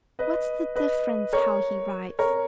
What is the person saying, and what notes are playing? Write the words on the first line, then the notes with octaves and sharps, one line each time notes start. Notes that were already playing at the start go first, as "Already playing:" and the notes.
What's the difference how he writes?
B4 D#5
B4 D#5
A#4 C#5
A#4 C#5